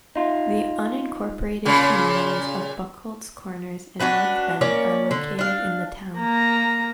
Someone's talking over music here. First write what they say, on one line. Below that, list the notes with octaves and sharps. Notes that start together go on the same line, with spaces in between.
The unincorporated communities of Buckholz Corners and North Bend are located in the town.
D#4 F4
A#2 C#3
C#4 D4 F#4 B4
A#3 C#4 C#5 D5
D3
D4 F5
A#3 A#5